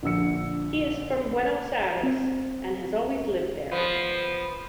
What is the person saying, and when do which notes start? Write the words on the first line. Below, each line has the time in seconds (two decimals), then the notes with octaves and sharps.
He is from Buenos Aires and has always lived there.
0.03 A#1 D3 E6 C#7
2.03 C4
3.71 F3 B3